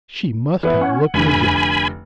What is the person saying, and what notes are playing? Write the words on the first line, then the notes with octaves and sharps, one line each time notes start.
She must have looked majestic.
E3 B3 E4
C#4 F#5
F1 D3 G#5 B5